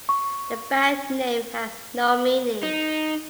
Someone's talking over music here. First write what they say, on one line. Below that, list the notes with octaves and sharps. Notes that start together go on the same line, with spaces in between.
The band name has no meaning.
C#6
D#4